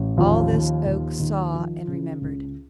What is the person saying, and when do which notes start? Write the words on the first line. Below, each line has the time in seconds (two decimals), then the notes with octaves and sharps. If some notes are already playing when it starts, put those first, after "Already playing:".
All this Oak saw and remembered.
Already playing: A1
0.17 D#2 F3 F4
0.53 D#3
0.86 D#2
1.19 D#3
1.54 F3
1.88 C#3
2.21 C#2